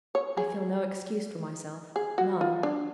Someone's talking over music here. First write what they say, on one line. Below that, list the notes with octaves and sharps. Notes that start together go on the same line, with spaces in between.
I feel no excuse for myself, none.
C#5
G#4
G#4
F#4
F4
D4